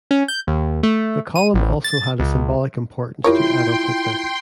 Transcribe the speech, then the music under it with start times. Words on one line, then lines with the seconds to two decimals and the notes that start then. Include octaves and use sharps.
The column also had a symbolic importance to Adolf Hitler.
0.11 C#4
0.28 G6
0.47 D#2
0.83 A3
1.35 D#7
1.54 A1
1.84 A6
2.20 C#2
3.24 E4 F4 G4 A#4 C#5 G5 C6